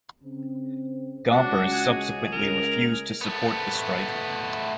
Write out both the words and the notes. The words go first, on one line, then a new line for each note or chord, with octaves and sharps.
Gompers subsequently refused to support the strike.
C#3 C4
C#2 D4 F#4
G#4
A#4
A3 B3